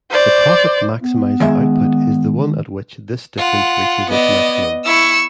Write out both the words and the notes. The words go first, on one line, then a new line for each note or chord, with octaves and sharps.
The profit-maximizing output is the one at which this difference reaches its maximum.
C5 D5
B3
D#3 G#3 E5
F4 F#5
B3 D5 D#5
E4 C#6 E6